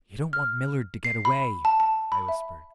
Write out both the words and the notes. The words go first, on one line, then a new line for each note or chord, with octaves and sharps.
"You don't want Millard to get away," I whispered.
F6
C7
B5
A5
A5
B5
E5